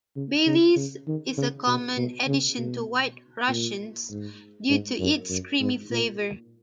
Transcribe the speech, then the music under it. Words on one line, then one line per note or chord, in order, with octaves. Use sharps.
Baileys is a common addition to White Russians, due to its creamy flavour.
C#3
C#3
C#3
D#3
C#3
B2
B2
C#3
B2
A#2
G#2
G#2
F#2
F#2
G#2
A#2